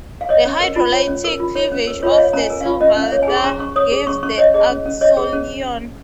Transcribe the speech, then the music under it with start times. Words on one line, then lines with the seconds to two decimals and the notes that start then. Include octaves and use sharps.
The hydrolytic cleavage of the silylether gives the acyloin.
0.21 F5
0.29 C#5 D#5
0.45 C#4
0.60 A#4
0.76 F4
0.93 C#5
1.08 C#4
1.24 A#4
1.40 F4
1.55 C#5
1.72 C#4
1.87 A#4
2.03 F4 C#5
2.11 D#5
2.18 C#5 F5
2.33 C#4 A#5
2.39 G#5
2.50 A#4
2.61 F5
2.66 F4
2.81 C#4 D#5
2.96 C#4
3.02 F5
3.12 C#5
3.23 G#5
3.28 G#4
3.37 C#6
3.44 C#4 A#5
3.59 C#4 C#6
3.76 C#5 D#6
3.92 G#4
4.07 C#4 C#6
4.23 C#4 C#6
4.38 C#5 D#5
4.54 G#4 D#5
4.70 C#4
4.85 C#4
5.01 C#5 D#5
5.17 G#4
5.33 C#4